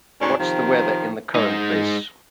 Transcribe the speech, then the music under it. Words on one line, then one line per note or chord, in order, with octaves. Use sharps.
What's the weather in the current place?
D2 G#2 C#4 D4
C3 D#3 F3
G#3 D#4